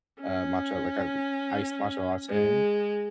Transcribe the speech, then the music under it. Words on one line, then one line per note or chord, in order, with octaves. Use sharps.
a matcha like, a iced matcha latte,
C#4
G#3